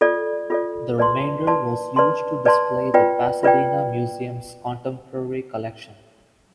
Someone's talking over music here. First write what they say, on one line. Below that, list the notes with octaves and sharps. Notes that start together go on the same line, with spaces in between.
The remainder was used to display the Pasadena museum's contemporary collection.
F4 A4 D5
F4 A4 D5
B4 D5 A5 C6
B4 D5 A5 C6
B4 D5 A5 C6
B4 D5 A5 C6
F4 B4 D5 G5
F4 B4 D5 G5